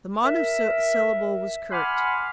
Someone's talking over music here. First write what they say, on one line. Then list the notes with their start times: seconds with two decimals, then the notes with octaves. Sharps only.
The monosyllable was curt.
0.24 A#4 E5
1.72 F#5 G#5 B5 C6 D6 F6